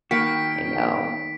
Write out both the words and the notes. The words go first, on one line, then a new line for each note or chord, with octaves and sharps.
I know.
D#3 A#3 F#4 F5 G5 B5 B6 D7